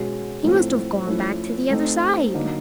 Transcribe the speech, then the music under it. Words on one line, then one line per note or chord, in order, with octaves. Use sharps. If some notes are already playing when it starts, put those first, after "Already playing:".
He must have gone back to the other side.
Already playing: B2 G#3 C#4 F#4
A2 F3 A3 C4 F4
F3 A3 C#4 E4
A3 C4 D#4
D3 F#3 A#3 D#4